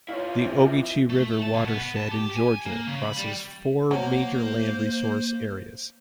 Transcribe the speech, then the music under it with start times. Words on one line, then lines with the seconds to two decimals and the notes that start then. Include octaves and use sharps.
The Ogeechee River watershed in Georgia crosses four major land resource areas.
0.08 F3 E4 C#5 F5
0.44 C4
1.10 A3
1.42 A5
1.54 B2
1.68 B3
1.96 A5
2.12 G4
2.36 G#5
2.66 A#3
2.87 C#3
3.03 B5
3.17 G3
3.91 F#3 A#3 C5 F5